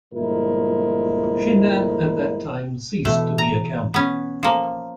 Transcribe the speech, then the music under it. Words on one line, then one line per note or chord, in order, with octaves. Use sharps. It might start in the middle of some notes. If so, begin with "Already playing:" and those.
Xin'an at that time ceased to be a county.
G1 A#2 F3 G#3 E4 A#4
B2 E3 A3
A#5
B3 C#4
F3 A#3